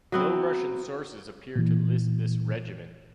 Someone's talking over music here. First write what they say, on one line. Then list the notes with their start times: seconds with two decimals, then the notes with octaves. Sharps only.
No Russian sources appear to list this regiment.
0.12 F#3 B3 C4
1.56 A#2 E3